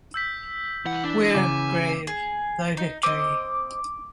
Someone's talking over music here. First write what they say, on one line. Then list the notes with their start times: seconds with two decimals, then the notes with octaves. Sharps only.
Where, grave, thy victory?
0.14 E6 G6 B6
0.85 C2 E3 F#5
1.04 D4
1.35 C#3 G#5 D6
2.07 G#4
2.77 D#4
3.03 C4 D#5 D6